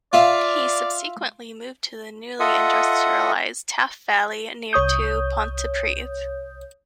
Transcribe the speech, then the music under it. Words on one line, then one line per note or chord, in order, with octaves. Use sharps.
He subsequently moved to the newly industrialised Taff Valley near to Pontypridd.
F4 D5 E5 F5
F4 A4 D#5 E5 F#5 D#6
C2 C#5 D#6 G6